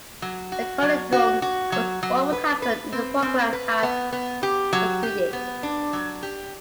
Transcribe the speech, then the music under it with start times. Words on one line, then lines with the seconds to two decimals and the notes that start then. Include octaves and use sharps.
The conundrum was what would happen if the program had succeeded.
0.22 F#3
0.52 F#4
0.82 F#3
1.12 F#4
1.42 F#4
1.72 F#3
2.03 F#3
2.33 B4
2.62 B4
2.92 C4
3.22 C4
3.53 B4
3.83 B3
4.12 B3
4.43 G4
4.73 F#3
5.03 G4
5.33 B3
5.63 D4
5.93 F#3
6.23 G4